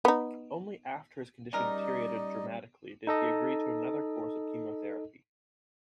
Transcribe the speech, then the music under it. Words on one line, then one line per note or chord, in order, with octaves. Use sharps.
Only after his condition deteriorated dramatically did he agree to another course of chemotherapy.
B3 D#4
G3 G#3 C#4 D#4 A#4 D5 D#5
D#4 A4 D#5